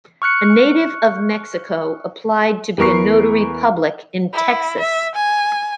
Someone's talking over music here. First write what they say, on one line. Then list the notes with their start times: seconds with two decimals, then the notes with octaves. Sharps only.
A native of Mexico applied to be a notary public in Texas.
0.22 C#6 F6 F#6 C#7
2.78 E2 B3 A#4 C#6 C7
4.33 E4
4.80 E5
5.15 G#5